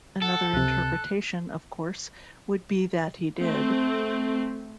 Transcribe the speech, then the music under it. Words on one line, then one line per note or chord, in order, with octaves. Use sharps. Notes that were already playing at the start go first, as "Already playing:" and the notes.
Another interpretation, of course, would be that he did.
A4 F#5
C#2 C3 F#6
A3 C4